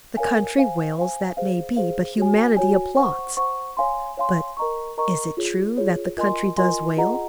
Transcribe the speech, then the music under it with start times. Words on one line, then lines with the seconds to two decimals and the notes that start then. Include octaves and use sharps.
The country wails, that may be, but humanity applauds. But is it true that the country does wail?
0.17 A#4 C#5 F5 G#5
0.57 C5 F5 G#5
0.97 C5 F5 G#5
1.37 G#4 C5 F5
1.77 G#4 C5 F5
2.17 F#4 C#5 G#5
2.57 F#4 C#5 G#5
2.97 C5 F#5 C#6
3.37 C5 F#5 C#6
3.77 C#5 F5 G#5 C6
4.17 C#5 F5 G#5 C6
4.57 A#4 D#5 A#5 C#6
4.98 A#4 D#5 A#5 C#6
5.37 F4 G#4 C#5
5.78 F4 G#4 C#5
6.17 F4 A#4 D#5 G#5 C6
6.57 F4 A#4 D#5 G#5 C6
6.97 F4 G#4 D#5 F#5 A#5